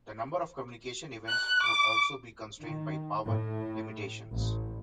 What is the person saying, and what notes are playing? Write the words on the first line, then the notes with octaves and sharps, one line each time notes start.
The number of communication events would also be constrained by power limitations.
F#6
D6
D#3
A2
A1